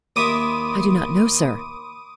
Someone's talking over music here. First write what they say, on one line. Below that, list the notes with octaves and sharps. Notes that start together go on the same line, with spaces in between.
"I do not know, sir."
D#2 E5 B5 C6 D6 D#6 D#7